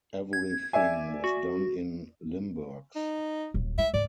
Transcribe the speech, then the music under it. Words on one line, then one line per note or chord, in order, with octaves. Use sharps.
Everything was done in Limburgs.
G#6
D5 E5 G#5
F#4
D#4
D#1 F#2
G#3 E5
C#2 G#2 D5